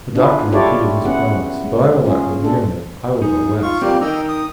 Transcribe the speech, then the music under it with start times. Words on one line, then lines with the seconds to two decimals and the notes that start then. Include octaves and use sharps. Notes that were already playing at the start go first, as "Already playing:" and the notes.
The Doctor repeated his promise, "But I will not go near them; I will go west."
0.15 B3 D4 E4 F4 G#4 B4
0.52 E4 F4 G4 A4 C#5 D5
1.05 B3 C#4 E4 G#4 F#5
1.64 G#3
2.05 C#4 F4 G#4
2.43 D4 A4
3.22 D#4 G#4
3.63 F4 C#6
3.82 G3 A#3 C4 F4 G4 D5
4.01 D#4 A#4 D#5 G5 E6
4.28 D#6